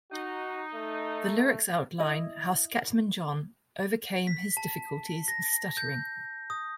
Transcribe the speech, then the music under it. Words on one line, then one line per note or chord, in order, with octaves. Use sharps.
The lyrics outline how Scatman John overcame his difficulties with stuttering.
D#4 F#4
A3
E4 D#5
B6
A5
A#6
G6
D#6